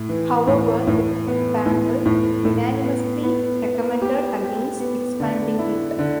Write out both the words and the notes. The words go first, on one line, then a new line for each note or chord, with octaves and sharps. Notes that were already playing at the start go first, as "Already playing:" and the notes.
However, the panel unanimously recommended against expanding it.
Already playing: A2
E3
A2
A2
B3
A2
A2
A2
B3
B3
B3
G4
G4
B3
D3
E4
D3